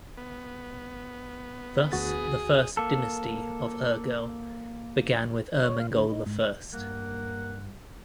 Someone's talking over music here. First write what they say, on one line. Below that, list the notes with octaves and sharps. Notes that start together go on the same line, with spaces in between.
Thus the first dynasty of Urgell began with Ermengol the First.
B3
D2 F#4 G#4 A6
A#3 A4
C#5
F5
D3
D#4
G#2
G2 A#3 F#5